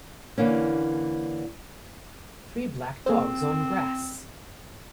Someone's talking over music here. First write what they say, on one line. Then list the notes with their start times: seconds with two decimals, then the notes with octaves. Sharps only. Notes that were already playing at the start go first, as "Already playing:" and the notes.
Three black dogs on grass.
0.38 D3 E3 A#3 C#4
3.06 A#3 C4 G#4 C5